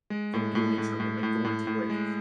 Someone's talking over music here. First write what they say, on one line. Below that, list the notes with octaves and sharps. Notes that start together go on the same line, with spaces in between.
from doing something, like going to, like,
G#3
A2
A2
A2
A2
A2
A2
A2
G#3